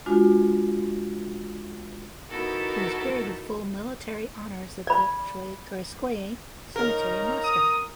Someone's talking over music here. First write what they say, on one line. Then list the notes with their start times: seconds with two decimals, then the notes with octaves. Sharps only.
He was buried with full military honors at the Troyekurovskoye Cemetery in Moscow.
0.06 G#3 D4 F4 F#4
2.30 B3 D#4 E4 F#4 A4 A#4
4.87 D5 B5
6.76 D#4 A#4 C#5 F5 A#5
7.44 D#6